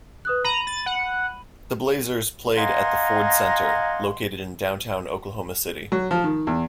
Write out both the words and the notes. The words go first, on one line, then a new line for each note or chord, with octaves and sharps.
The Blazers played at the Ford Center, located in downtown Oklahoma City.
B4 D#6 F#6
A#5 B5 D#7 F#7
A6
F#5
D#5 F5 F#5 G#5 A#5 C6
F#3
F3
D#3
E2